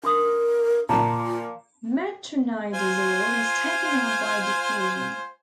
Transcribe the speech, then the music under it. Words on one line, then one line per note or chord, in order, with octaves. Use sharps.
Metronidazole is taken up by diffusion.
D4 A#4 C6 D#6
A#2 F3 F4 A5 A#5
F4 C5 G#5